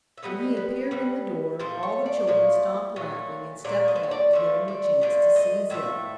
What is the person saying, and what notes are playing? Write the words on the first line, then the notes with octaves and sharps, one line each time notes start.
When he appeared in the door all the children stopped laughing and stepped back to give him a chance to see Zip.
E5
D3 G3 B3 D#5
B4
D3 G3 B3
A#2 F3 A3 C5
C#5
D5
A#2 F3 A3
A#2 F#3 A3
A#2 F#3 A3 D5
D#5
C5
C#5
D5
D3 F3 A3 E5
D5
D3 F3 A3 D5
D#5
A2 F3 A3 E5